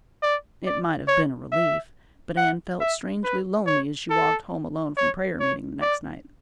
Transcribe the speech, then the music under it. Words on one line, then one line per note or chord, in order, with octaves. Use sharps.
It might have been a relief, but Anne felt strangely lonely as she walked home alone from prayer meeting the next night.
D5
D5
C#5
E5
F#5
E5
B4
C#5
A4
C#5
C#5
D5